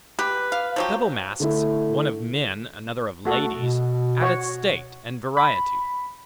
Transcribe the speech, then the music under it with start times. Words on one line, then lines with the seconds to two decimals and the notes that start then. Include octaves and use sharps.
Double masques, one of men, another of ladies, addeth state and variety.
0.19 G4 B4
0.52 F5
0.76 F3 F#3 G4
1.40 D3 A3 E4
3.25 A3 F#4 A4
3.54 B2
4.21 F#4 C#5
5.37 B5